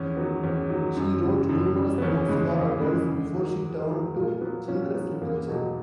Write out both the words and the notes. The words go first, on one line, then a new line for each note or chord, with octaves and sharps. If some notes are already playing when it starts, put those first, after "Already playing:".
She wrote numerous books for adults before she turned to children's literature.
Already playing: E2 C#4
D#3 F#3 B3
E2 C#4
D#3 F#3
F#2
C#3 E3
F#2
C#3 E3
B3
E2 C#4
C#3 E3 G#3
E2 A#3
C#3 E3 G#3
E2
D#3 F#3
E2
D#3 F#3
A#2 A#3
F#3 B3
A#2 C#4
F#3 B3
E2 A#3
B2 F#3